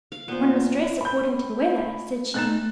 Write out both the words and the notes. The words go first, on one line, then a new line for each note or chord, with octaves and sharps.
"One must dress according to the weather," said she.
F5
A#2 B3 C5
B5 G6
A3 D#4 F#6 A6 E7